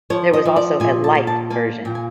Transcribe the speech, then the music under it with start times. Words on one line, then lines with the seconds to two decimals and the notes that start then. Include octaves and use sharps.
There was also a "light" version.
0.10 F3 C#5
0.33 D#5
0.45 F3
0.56 D5
0.80 A#2 G#5
1.04 A5
1.15 A#3
1.27 A5
1.50 A#3 G#5
1.85 A#2 G5
1.95 G#5